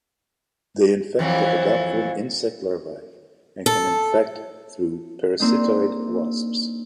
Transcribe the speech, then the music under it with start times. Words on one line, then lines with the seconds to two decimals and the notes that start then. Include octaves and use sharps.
They infect lepidopteran insect larvae and can infect through parasitoid wasps.
1.19 F2 E3 F#3
3.66 A4
5.40 A#3 C4 D4 D#4